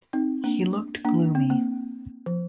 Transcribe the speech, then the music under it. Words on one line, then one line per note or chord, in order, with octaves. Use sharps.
He looked gloomy.
C4 D#4
A#3 D4
A#3 D4
C4
A#3
F3